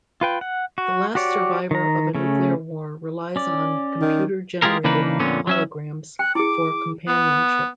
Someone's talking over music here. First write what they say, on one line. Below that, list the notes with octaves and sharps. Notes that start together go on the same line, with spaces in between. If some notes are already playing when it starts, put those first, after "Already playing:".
The last survivor of a nuclear war relies on computer generated holograms for companionship.
F4 B4 G5
F#5
F#4
F#4 G4 C#5 D5
D#3 A#5
C#3 A3 C#4
C#4 D5
D#3
G#3 F4 G4 G#4 A#4
C#3 E3 A#3 D4 D#4 B4
F2 A#2 D3 B3 C#4
F#3 C#4 E5
G5 F#6
E4 G#4 D6
B3